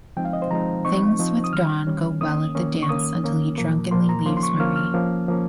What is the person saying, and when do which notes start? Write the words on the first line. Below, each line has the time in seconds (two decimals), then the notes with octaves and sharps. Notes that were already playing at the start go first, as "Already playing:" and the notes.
Things with Don go well at the dance until he drunkenly leaves Marie.
0.17 F3 G#3 C4 D#4 G5
0.25 F5
0.33 D#5
0.42 C5
0.51 F3 G#3 C4 D#4 A#5
0.85 F3 C4 D#4 C#6
1.19 F3 C4 D#4
1.44 D#6
1.53 D#3 G3 C#4 F6
1.87 D#3 G3 C#4
2.21 D#3 A#3 C#4 D#6
2.55 D#3 A#3 C#4
2.83 C#6
2.89 D#3 A#3 C#4 D#6
3.24 D#3 A#3 C#4
3.58 A#2 F3 A#3
3.91 A#2 F3 A#3 C6
4.09 A#5
4.26 F3 A#3 C#4 C6
4.37 C6
4.43 C#6
4.59 F3 A#3 C#4 F6
4.76 F6
4.94 F3 A#3 C#4
5.28 F3 A#3 C#4